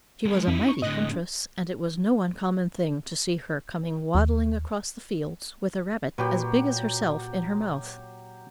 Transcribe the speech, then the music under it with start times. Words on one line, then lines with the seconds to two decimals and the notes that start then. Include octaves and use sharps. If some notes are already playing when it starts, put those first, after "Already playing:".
She was a mighty huntress, and it was no uncommon thing, to see her coming waddling across the fields with a rabbit as big as herself in her mouth.
0.25 G#3 A#4
0.47 F2 D#4 E4
0.68 C#6
0.82 A2 D3 D#5 F#6
4.15 D#2
6.18 A#2 F#3 G4 B4 G5